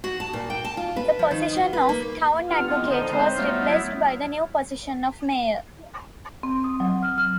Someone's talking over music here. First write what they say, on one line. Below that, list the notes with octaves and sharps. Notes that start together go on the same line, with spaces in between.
The position of 'town advocate' was replaced by the new position of mayor.
F#4
A5
A#2
G5
A5
F4
B4
F3
D#3
F4
B4
A#3
G2 D#4 F4 F#5 F6
G#3 B3 C4 E4 F4
D3 F3 D#4
C#3 G#3 C4 D#4 B4 C5
F#3 G3 A3 B3 D#4 F4
F#3 E4
C4
D#6
F#3
F6
F6